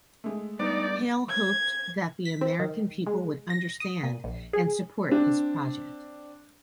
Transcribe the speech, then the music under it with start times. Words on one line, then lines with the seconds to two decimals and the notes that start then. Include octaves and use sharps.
Hale hoped that the American people would understand and support his project.
0.24 G#3 A3
0.59 G2 B3 D#4 D5
1.29 G#6
2.25 B6
2.41 C4
2.59 D#3
3.07 G#3
3.50 A#6
3.80 D#6
4.03 A#2
4.24 A#1
4.53 G#4
5.09 C4 D4